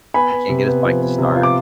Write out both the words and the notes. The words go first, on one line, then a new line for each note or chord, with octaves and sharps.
he can't get his bike to start.
B3 G#5 B5
B3
C3
B3
F3
B3
C3
F4
D6